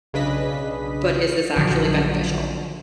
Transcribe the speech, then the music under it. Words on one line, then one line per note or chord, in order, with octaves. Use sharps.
but is this actually beneficial?
B1 C#3 D4 B4 D#5 B6
A#1 D3 D#3 F3 F#3